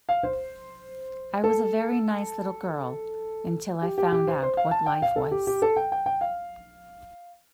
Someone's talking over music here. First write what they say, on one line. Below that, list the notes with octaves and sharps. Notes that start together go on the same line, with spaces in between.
I was a very nice little girl, until I found out what life was.
F5
C5
A4
G4
G4
G4
C5
C5
F5
A5
G5
F5
A4
G4
G4
A4
G5
G5
G5
F5